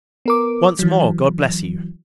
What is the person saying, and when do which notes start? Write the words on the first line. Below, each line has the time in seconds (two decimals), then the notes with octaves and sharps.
Once more, God bless you!
0.26 B3 A#4 D6
0.79 E3 F#3